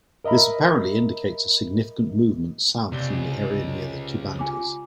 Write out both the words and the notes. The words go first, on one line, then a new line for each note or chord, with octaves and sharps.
This apparently indicates a significant movement south from the area near the Tubantes.
A#4 D#5 E5 A#5 B5
C#2 C3 D5 G7
F4 G#5 D6